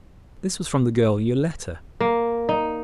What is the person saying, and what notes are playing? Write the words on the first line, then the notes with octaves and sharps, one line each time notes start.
This was from the girl Yoletta.
A#3
D#4